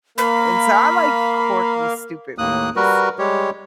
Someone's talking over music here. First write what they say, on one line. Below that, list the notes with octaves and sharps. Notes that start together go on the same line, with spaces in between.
and so I like quirky stupid movies.
A#3 A#4 F5 B5
D#2 A2 A#3 D#6 F#6
G3 F#4 A#4 B4
G3 G#3 G4 C#5